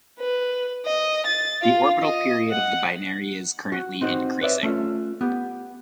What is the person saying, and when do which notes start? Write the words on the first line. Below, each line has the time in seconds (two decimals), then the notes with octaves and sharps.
The orbital period of the binary is currently increasing.
0.19 B4
0.85 D#5
1.27 A6
1.62 F4
2.03 D#5
2.51 F#5
3.72 F#4
4.01 C4 D#4 F#4 B4 C5
4.41 B4 C#5 D5 E5
4.63 A3 C#4 F4
5.21 B3 G4